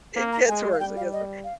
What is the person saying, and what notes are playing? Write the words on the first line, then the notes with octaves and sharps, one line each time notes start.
It gets worse, It gets wor
A#3
A#5
G#3 G#5
F5
G3 G5
F5
D#5
F5